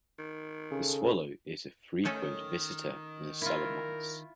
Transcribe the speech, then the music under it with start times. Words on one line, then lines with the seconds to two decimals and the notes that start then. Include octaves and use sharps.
The swallow is a frequent visitor in the summer months.
0.19 D#3
0.71 C#3 A4
2.05 D#3 A3 C#4 A4
3.41 E4 F4 A#4